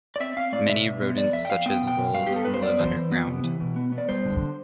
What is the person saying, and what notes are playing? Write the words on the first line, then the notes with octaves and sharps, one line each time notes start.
Many rodents such as voles live underground.
D5
C4 E5
C4 F5
A2 D5
B2 E5
B2
B3
F2 D5
F2 E5
G5
F2 F5
B3 G5
B2
G5
B2
G2 F5
B3 G4
A4
G2 B4
C5
B3 D5
E3 C5
E3
B3
C3
E3
B2
B3
B3
D5
G3 C5
D3